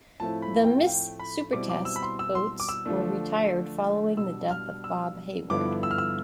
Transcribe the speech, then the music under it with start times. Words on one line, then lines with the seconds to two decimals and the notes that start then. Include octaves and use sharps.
The "Miss Supertest" boats were retired following the death of Bob Hayward.
0.20 A2 F3 A3 C4 E4 A5
0.42 B5
0.64 G5
0.81 F5
0.87 G5
1.19 B5
1.53 B2 G3 C4 E4 D6
1.69 D6
1.85 E6
1.96 B5
2.03 C6
2.19 E6
2.35 C6
2.60 D6
2.69 E6
2.85 D3 F3 A3 D4
4.17 B2 G3 D4 E6
4.51 F6
4.84 E6
5.50 G2 D3 F3 B3 E4 D6
5.83 E6
5.91 F6
5.98 E6